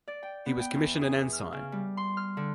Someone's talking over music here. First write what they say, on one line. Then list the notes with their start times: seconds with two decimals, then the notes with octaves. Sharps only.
He was commissioned an ensign.
0.08 D5
0.23 G5
0.46 B3
0.60 G5
0.75 E2
1.01 G#4
1.33 F6
1.53 C#3
1.72 G3
1.97 C6
2.17 F6
2.37 D3